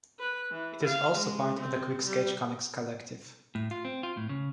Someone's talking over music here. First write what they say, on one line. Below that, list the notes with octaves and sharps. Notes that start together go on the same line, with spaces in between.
It is also part of the Quicksketch Comics collective.
B4
E3
F5
G#3
C4
G3
A2
F4
C4
F4
A2
C#3